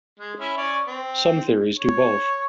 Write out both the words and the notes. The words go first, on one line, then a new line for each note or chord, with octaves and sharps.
Some theories do both.
G#3
C#4 E4
C#4 C#5 D5
C4
C#5